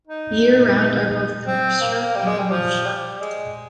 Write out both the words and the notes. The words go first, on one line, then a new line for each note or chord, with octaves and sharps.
Year-round are both the nurse shark and reef shark.
D#4
C4
A#3
G3
G#3
G3
F3
G3
G#3